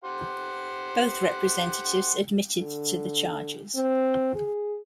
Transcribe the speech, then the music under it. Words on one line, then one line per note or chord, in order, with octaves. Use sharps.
Both representatives admitted to the charges.
G4 C5 F#5
D3
C4
G#4